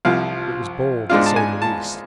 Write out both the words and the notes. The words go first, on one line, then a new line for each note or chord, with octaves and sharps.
It was bold, to say the least.
C2 C3 F3 F5
G#2 G#3 D4 F4 F5
A5
G#5
A5